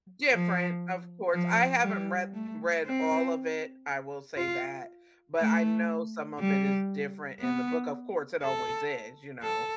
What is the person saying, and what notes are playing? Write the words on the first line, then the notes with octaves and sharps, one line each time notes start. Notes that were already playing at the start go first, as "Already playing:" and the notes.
Different, of course, I haven't read read all of it, I will say that, but I know some of it is different in the book, of course, it always is, you know,
F3
F3
G3
A3
C4
F4
A3
G3
B3
A4
A4